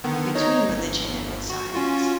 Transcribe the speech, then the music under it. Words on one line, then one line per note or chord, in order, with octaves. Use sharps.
between religion and with science.
D3 D#3 B3
D#4 C#5 D#5
G1
F#4
C#4 F4 F#4